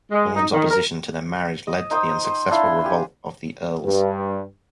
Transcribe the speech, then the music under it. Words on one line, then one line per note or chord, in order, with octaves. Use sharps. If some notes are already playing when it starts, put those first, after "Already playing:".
William's opposition to their marriage led to the unsuccessful Revolt of the Earls.
G#3
D#4
D#3
A#4
D#5
D#4 C5 G5 D#6
C5
D4 E4 F5 C6
G4 F5 G#5
G2